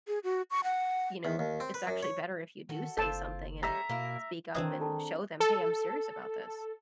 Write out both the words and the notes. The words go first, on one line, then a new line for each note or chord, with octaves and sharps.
you know, it's actually better if you do say something and speak up and show them, "Hey, I'm serious about this."
G#4
F#4
C#6
F#5
E2
D#2
C4
B4
F#2
C#5
D#3 F#4 A4
F#1 C4 F4 A4 A5
G3 C#4 D#5 E5 A#5
B2 A#3 E4 A#4
D#3 E3 C4 D4 G#4 D#5
A4 A5 A#5
A4